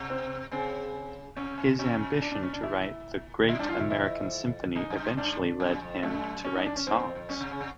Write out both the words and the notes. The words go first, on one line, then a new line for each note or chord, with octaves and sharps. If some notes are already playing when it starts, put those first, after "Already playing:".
His ambition to write the "great american symphony" eventually led him to write songs.
Already playing: C3
C4
C#3 C4
C3 C#4
B2
A#2 C#4
D4
D4
C#4
D4
E4
A2 E4
G2 D4
F#2 F4
F2 E4
E4
F#2 D#4
F#2
G2
G2 D4
F#2
F2
F#2 A3
C#4
D#4
D4
C#4
F#2 C4
F2
F2
F#2 C#4
C3
C#3
C3